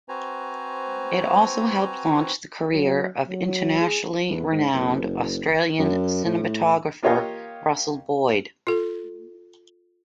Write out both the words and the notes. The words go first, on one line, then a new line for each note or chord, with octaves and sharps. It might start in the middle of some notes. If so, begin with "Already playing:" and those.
It also helped launch the career of internationally renowned Australian cinematographer Russell Boyd.
C4 F#4 B4 C5 G#5 A#5
F#3
F#3
G#4
E2
G#2
F#1
F#2
A2
A#3 F4 G4 C#5 D#5 F5
F4 A4